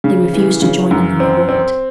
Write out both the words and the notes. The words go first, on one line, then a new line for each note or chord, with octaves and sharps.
They refused to join in the revolt.
C#3
E3
C#3
F#2
C4
C4